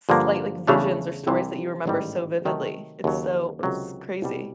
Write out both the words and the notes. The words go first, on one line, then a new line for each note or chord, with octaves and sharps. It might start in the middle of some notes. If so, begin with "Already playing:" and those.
slight, like, visions or stories that you remember so vividly. It's so it's crazy.
G2 D3 F3 A#3
E2 C#3 E3 A3 D4
C2 C3 E3
A1 G#2 D#3 G3
C3 D#3 F#3 A3
D#2 C#3 F#3
C#2 C3 D#3 F#3
C2 B2 G3